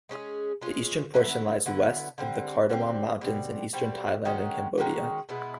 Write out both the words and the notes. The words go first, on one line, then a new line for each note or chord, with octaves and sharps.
The eastern portion lies west of the Cardamom Mountains in eastern Thailand and Cambodia.
G#3 C#4 F4 G#4
G#3 C#4 F4 G#4
D3 F#3 B3 E4
D3 F#3 B3 E4
D3 G3 C4
D3 G3 C4
B2 G3 C4
B2 G3 C4
D#3 G#3 C#4 F#4
D#3 G#3 C#4 F#4
B2 G#3 B3 E4